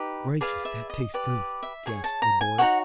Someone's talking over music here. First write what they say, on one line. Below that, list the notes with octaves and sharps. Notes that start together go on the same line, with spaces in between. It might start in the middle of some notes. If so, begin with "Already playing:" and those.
"Gracious, that tastes good!" gasped the boy.
Already playing: D#4 G4 B4
G#4 B4 D5 F5
E5
D#5
G4 B4 D5
E5
G#4 C#5 G#5
A5
A#5
G#5
D#4 F#4 A4 C#5 F#5